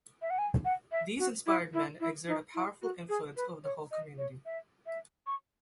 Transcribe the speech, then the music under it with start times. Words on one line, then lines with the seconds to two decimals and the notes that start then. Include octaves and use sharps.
These inspired men exert a powerful influence over the whole community.
0.22 E5
0.30 F#5
0.38 G#5
0.65 F#5
0.92 E5
1.19 F#4
1.46 E4
1.74 E4
2.00 E4
2.28 D#4
2.55 E4
2.82 F#4
3.09 G#4
3.37 B4
3.64 C#5
3.91 D#5
4.18 C#5
4.45 E5
4.86 E5
5.27 C#6